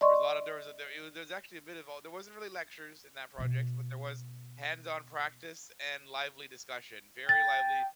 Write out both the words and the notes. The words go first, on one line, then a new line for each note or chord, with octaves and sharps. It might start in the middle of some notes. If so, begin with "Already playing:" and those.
There was a lot there was a there it w there was actually a bit of all there wasn't really lectures in that project, but there was hands-on practice and lively discussion, very lively,
D5 D#5 C6 C#6
B2 B3
G5 A6